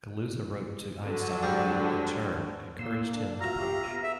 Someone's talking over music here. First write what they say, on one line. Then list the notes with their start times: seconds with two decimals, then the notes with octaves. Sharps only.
Kaluza wrote to Einstein who, in turn, encouraged him to publish.
1.05 D3 F#3
1.43 G#2 G3
2.79 A#2 A#3 C6 E6
3.13 D4 A4
3.41 F4 F#4 E5 F5 A#5
3.59 G4
3.88 B3
4.03 F#4 G#4 E5